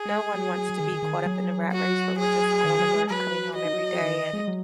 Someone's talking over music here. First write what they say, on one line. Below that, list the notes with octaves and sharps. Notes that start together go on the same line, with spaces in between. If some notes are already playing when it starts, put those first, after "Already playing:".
No one wants to be caught up in a rat race where we're just going to work, coming home every day, and,
Already playing: G#4
G#3
F#3
D#3
D#3
D#3
F#3
F#4
G#4
D#3
F#3
G#3
F#3 B4
F#3 D#5
D#3
F#3
D#3
G#3
F#3